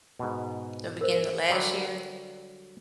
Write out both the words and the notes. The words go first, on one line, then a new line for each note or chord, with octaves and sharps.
the beginning of last year,
G#2 B2
A#4 C5
D3 F#3 G3